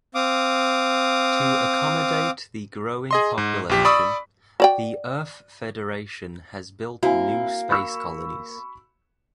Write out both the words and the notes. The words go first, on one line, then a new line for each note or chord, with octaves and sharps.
To accommodate the growing population, the Earth Federation has built new space colonies.
C4 F5 D6 D#6
G#4 D#5 C6
G#2
A#1 G4 B6
D5 B5 C#6 D#6 E6
F#4 D5 G5
A#3 C4 E4 F#4 G#5
B5 C#6 E6